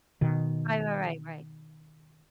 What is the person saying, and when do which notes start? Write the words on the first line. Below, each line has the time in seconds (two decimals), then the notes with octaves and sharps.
I know, right, right.
0.21 B2 D#3